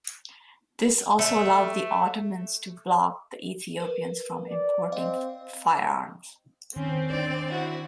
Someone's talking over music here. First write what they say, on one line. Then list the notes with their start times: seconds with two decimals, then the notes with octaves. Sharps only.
This also allowed the Ottomans to block the Ethiopians from importing firearms.
1.19 A3
3.80 A#4 B4
4.49 D5
4.92 C4 D#5 F5
6.76 D#3 C4 C#4
7.10 D4 D#4 C5 D5
7.49 E4 F#4